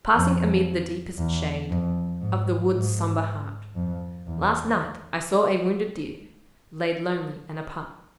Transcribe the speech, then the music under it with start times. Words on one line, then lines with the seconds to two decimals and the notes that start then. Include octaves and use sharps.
Passing amid the deepest shade Of the wood's sombre heart, Last night I saw a wounded deer Laid lonely and apart.
0.15 F2
1.18 E2
1.70 F2
2.21 G#2
2.73 G#2
3.75 F2
4.27 E2